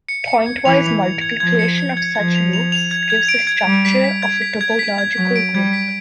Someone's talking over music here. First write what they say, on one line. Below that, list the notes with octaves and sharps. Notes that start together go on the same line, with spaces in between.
Pointwise multiplication of such loops gives the structure of a topological group.
C#7
C#7
G#6
E3 F7
F7
G#6
G#6
F3 G#6
C#7
G#6
G#6
F3 G#6
F7
F7
F7
G#6
G#6
D7
G#6
G3 G#6
B6
B6
G#6
B6
G#6
B6
G#6
F#3 G#6
D7
G3 G#6
B6